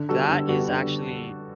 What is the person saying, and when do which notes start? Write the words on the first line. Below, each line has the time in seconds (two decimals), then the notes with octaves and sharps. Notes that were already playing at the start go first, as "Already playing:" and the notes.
that is actually
Already playing: D3
0.09 G3 B3 F#4 A4
0.29 D3
0.48 G3 B3 F#4 A4
0.68 D3